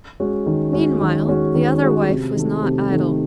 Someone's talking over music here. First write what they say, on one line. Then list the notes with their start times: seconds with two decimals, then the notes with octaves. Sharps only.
Meanwhile the other wife was not idle.
0.20 G#3 C#4 F#4
0.46 D#3
0.73 G#3 C#4 F#4
1.01 D#3
1.28 G#3 C#4 F#4
1.55 D#3
1.82 G#3 C#4 F#4
2.09 C3
2.36 D#3 A3
2.63 C3
2.90 D#3 A3